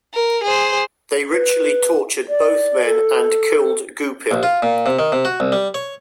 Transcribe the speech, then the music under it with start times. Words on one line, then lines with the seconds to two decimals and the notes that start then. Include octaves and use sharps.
They ritually tortured both men and killed Goupil.
0.14 A#4
0.44 G#4 C5
1.30 B4
2.29 D5
2.85 A4
4.31 A#1
4.43 F4
4.62 A#2
4.86 C3
4.99 D#3
5.12 C3
5.25 F#4
5.40 C2
5.52 G3
5.74 C#5